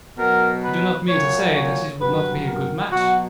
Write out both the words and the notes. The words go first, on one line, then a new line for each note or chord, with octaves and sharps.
"You do not mean to say that it would not be a good match?"
B2 F#3 A#4
B4
A#2 F#3 C#5
C#5
G2 F#3 B4
A#4
B2 F#3 F#4